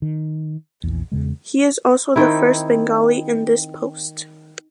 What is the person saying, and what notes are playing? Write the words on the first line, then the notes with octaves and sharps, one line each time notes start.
He is also the first Bengali in this post.
D#3
A#1 E2
E2 C#3 G#3
D#3 C4 E4